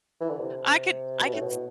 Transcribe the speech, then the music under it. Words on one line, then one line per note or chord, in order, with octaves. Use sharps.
I could I could s
E3
D3
C3
B2
A2
B2